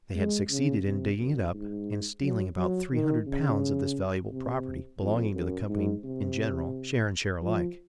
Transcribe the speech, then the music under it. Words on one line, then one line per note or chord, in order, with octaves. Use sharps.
They had succeeded in digging it up and stealing about three hundred pounds of this valuable property, belonging to the company in general, share and share alike.
G#3
C#3
C3
F#2
G#2
F#3
F#3
D#3
C#3
C3
F2
F#2
G#2
C3
F3